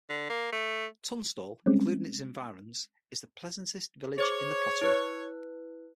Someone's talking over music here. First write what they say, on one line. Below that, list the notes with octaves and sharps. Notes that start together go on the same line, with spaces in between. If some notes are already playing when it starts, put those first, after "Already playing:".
Tunstall, including its environs, is the pleasantest village in the pottery.
D3
A#3
A3
G3 G#3 C4 C#4
G#4 C5 C#5 D6
E4 B4 F#6